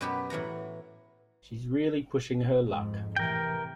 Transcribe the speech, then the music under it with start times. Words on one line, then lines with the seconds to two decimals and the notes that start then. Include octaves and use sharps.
She's really pushing her luck!
0.01 F#2 B2 B3 G4 B4 B5
0.30 A2 E3 F#5 A#5
2.62 F2 G#2
3.16 A2 C3 E3 A#4 G5